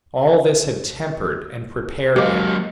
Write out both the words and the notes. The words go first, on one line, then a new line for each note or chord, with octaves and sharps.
All this had tempered and prepared him.
D#2 F#3 G#3 A#3 G4 D6